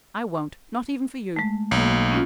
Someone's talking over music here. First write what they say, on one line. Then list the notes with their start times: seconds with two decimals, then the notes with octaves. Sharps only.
I won't, not even for you.
1.36 G#3 A3
1.71 B1 A#3
2.12 C#4 F4